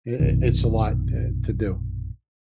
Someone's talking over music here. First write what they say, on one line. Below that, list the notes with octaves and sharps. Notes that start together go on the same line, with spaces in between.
i i it's a lot, eh, to do,
A#1 F#2 B2 D#3